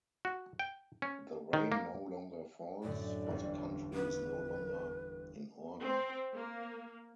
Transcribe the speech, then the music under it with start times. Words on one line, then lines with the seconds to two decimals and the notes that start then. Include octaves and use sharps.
The rain no longer falls, for the country is no longer in order.
0.25 F#4
0.59 G5
1.02 C#4
1.53 D#3
1.72 A#3
2.84 F#2 A2 D3 D5
3.26 G1 E2
3.94 B4
5.81 C4
6.35 A#3